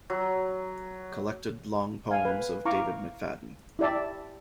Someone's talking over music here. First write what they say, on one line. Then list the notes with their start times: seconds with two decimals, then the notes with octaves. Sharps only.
Collected Long Poems of David McFadden.
0.10 F#3
2.11 F5 G#5
2.25 B4
2.65 E4 F5 A#5 C#6 D6
3.79 E4 G4 D5 E5 A5